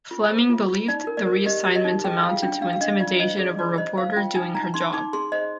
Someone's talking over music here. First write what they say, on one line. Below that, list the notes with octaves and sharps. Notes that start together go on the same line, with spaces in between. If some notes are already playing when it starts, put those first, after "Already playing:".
Fleming believed the reassignment amounted to intimidation of a reporter doing her job.
F4
C5
F4
F4
D#4 D5
A#4
D5
A#4
G4 D#5
G4
D#5
D#4
G#4 G5
F4 F5
D4 G5
D4 F5
F5
D4 D#5
F4 D5
C5 D#5
G#4 D5
F4 D5
C5 D#5
C5 F5
F4 G5
D#4 G#5
D#4 A#5
D#4 C6
D#4 D6
G#4 C6
C5 D#5